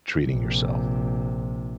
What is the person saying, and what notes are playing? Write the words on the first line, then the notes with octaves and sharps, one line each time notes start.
Treating yourself?
A#1 C3